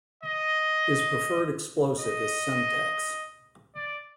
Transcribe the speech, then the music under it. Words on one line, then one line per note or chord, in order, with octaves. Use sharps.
His preferred explosive is Semtex.
D#5
D#5
D5